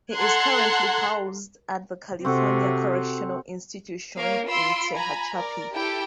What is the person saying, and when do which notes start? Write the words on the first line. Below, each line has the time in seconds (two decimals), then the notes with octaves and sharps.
He is currently housed at the California Correctional Institution in Tehachapi.
0.15 A4 F#5 A#5 C6 F#6 G#6
2.25 C3 C4 F#4 A4
4.17 A#3 A#4 C#5 F5
4.50 F4 B5 C6 E6 D7
4.94 G#5 A#5 B5
5.34 A#4 D5
5.72 E4 G4 A4 G5